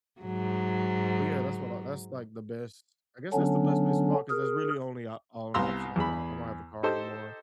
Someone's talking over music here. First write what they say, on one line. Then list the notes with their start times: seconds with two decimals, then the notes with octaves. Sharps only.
but, yeah, that's what I that's like the best I guess that's the best place to walk 'cause that's really only o only option I got, I don't have a car anymore,
0.21 G#2 F#3
3.33 D3 F#3 B3 C#4 D4
4.30 G#4 A#4
5.54 C2 B3 F5 A#5 C6 E6
5.96 E2 G#4 B5
6.83 D#4 G4 A4 C5 A5